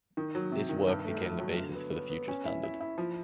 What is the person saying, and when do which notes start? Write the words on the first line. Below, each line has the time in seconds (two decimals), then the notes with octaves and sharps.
This work became the basis for the future standard.
0.17 D#3
0.35 F#3
0.52 C3
0.69 D#3
0.87 G2
1.05 A3
1.22 F#3
1.39 F#3
1.58 D3
1.75 B3
1.93 B3
2.10 B3
2.28 C#4
2.45 E4
2.63 E4
2.81 E4
2.98 F3